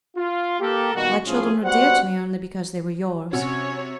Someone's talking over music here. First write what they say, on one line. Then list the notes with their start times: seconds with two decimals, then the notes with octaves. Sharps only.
My children were dear to me only because they were yours.
0.17 F4
0.61 A#3 G4 A4 A#4
0.95 B2 D#3 G3 A#3 F#4
1.27 A2 F3 A3 C#4 F4 G#4
1.64 G3 B3 F#4 C5 F#5
3.33 C3 C#4 F#4 C#5